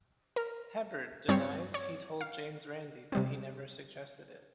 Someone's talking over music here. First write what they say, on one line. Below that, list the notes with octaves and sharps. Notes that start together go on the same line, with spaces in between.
Heberd denies he told James Randi that he never suggested it.
A#4
G2 G3 C4 C#5
C#5
F5
C3 G3 C4